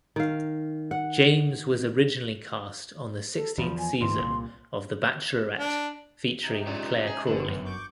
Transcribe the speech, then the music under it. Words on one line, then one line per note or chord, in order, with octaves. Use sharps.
James was originally cast on the sixteenth season of "The Bachelorette" featuring Clare Crawley.
D#3 F5
F#5
A4
E2 F3 B5
G#5
D2 G#2 E3 C6
C2 A#2
D4
C3 D#4
G#3 C#4 F4 C#5 D5
G#4
G1 D3 B3 F#7
F#2
C#6 D6 G6